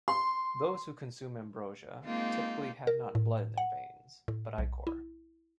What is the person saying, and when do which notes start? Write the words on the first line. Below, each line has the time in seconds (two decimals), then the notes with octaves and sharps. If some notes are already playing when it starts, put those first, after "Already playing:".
Those who consume ambrosia typically had not blood in their veins, but ichor.
0.08 C6
2.04 G#3 A#3 C4 D#4 F4
2.87 A#4
3.15 A2
3.58 F#5
4.28 A2
4.58 B1
4.87 E4